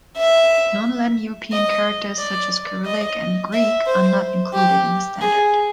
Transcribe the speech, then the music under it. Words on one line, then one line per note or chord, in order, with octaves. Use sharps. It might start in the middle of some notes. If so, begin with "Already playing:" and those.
Non-Latin European characters, such as Cyrillic and Greek, are not included in the standard.
E5
D#5
D5
D#5
E5
C5
G4
G#4